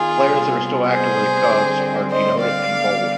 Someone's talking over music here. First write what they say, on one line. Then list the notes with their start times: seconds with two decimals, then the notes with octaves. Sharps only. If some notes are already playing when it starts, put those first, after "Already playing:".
Players that are still active with the Cubs are denoted in bold.
Already playing: D#3 B3 F4 G#4
0.27 C3 G3 B3
0.88 G#4 C5
1.49 D3 G3 C4
2.11 C5 D#5
2.41 D5 F5
2.72 D3 G3 B3